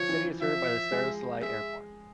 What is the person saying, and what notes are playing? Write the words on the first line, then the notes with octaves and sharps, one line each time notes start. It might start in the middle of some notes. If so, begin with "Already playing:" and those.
The city is served by the Staroselye Airport.
Already playing: F3 C#5
E3
E3
F3 E5
G#3
G#3 E5